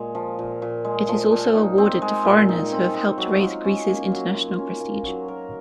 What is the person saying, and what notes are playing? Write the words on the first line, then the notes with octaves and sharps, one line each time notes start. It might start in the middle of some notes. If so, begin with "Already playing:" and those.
It is also awarded to foreigners who have helped raise Greece's international prestige.
Already playing: A#2 G#3
F3
A#2
A#2
G#3
F3
A#2
D#4
C4
G#3
A#2
D#4
C4
G#3
F#3
F4
C#4
A#3
F#3
F4
C#4
A#3
F#3
A#4